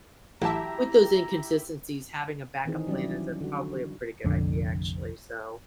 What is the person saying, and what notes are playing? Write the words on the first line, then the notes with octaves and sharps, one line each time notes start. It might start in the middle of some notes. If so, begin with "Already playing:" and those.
with those inconsistencies, having a backup plan is a probably a pretty good idea, actually, so,
A1 F#3 E4 G4 E5 A5 A#5
D#3 E3 C4 D#4 G#4
F#3 G3 C#4 E4 D5
D3 F#4
F1 A#1 F2 D3